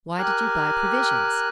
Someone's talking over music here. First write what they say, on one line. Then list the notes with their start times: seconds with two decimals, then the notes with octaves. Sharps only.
"Why did you buy provisions?"
0.18 G4 A#4 G#5 F#6